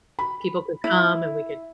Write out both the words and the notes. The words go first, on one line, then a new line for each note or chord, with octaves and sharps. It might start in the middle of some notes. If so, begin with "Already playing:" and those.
people could come, and we could
B5
E4